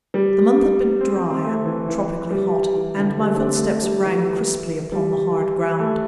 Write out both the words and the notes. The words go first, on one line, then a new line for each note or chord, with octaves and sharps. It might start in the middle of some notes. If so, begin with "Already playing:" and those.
The month had been dry and tropically hot, and my footsteps rang crisply upon the hard ground.
G3
C4
C4
C4
A3
E3
E3
G3
E3
D3
G3
A3
D4
C4
A3
A3
G3
E3
G3
A3